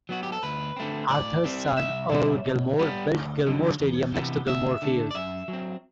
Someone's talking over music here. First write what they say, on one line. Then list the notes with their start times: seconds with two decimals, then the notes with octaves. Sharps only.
Arthur's son Earl Gilmore built Gilmore Stadium next to Gilmore Field.
0.09 F#3 B3 F#4
0.23 G4
0.32 A4
0.43 D2 B4
0.76 D3 A3 C4
1.10 A2 D5
1.44 G3 C4
1.77 C2 E5
2.11 B2 G3 C4
2.46 B2
2.79 G3 B3
3.13 D2
3.47 D3 F#3
3.80 E2
4.14 C3 E3 B3
4.47 D2 E5
4.82 D3 A3
5.11 D5
5.15 F#2 E5
5.48 F#3
5.53 C4